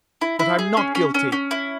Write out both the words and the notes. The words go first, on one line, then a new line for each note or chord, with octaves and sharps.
But I'm not guilty.
E4
E4
G#4
C#4
C#4
C#4
C#4
E4